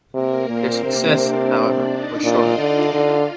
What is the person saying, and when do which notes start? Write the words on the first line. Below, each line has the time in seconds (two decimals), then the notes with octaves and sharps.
Their success, however, was short-lived.
0.14 C3 A#3 A#4
0.49 A#2 C4 C5
0.83 C3 D4 D5
1.54 D4 D5
1.88 D#4 D#5
2.23 A#2 F4 F5
2.58 D3
2.93 D3 F4 F5